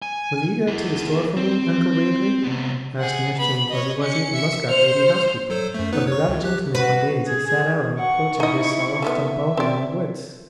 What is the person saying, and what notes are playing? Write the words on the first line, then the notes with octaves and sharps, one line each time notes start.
"Will you go to the store for me, Uncle Wiggily?" asked Nurse Jane Fuzzy Wuzzy, the muskrat lady housekeeper, of the rabbit gentleman one day, as he sat out on the porch of his hollow stump bungalow in the woods.
G#5
E4 G#4
C4 C5
C3 B3
G#4 F#5
B3 B5
C#5 D#5
C#4 C#7
E5
C5 F6
F#3 A4 C5
F#2 A3
B3 D#4 B4
C#5 C#6
C#2
G4 F#6
F#4 B4
G#4
G#4
F#5 C#6
D#4 E4 D#5 C#6
D3 D#3 B3 E5
C4 D5